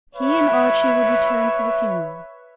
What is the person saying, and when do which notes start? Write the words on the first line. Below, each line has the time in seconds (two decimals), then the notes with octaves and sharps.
He and Archie would return for the funeral.
0.14 B4 C#5 E5